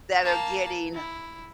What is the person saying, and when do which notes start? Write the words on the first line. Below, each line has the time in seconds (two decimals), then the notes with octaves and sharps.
that are getting
0.23 A#3 A5
0.93 E4